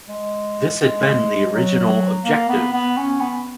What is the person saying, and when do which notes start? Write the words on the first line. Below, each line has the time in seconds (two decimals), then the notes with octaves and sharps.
This had been the original objective.
0.09 G#3
0.82 G#3
1.53 F#3
2.25 A#3
2.49 B3
2.73 B3
2.97 C#4
3.21 B3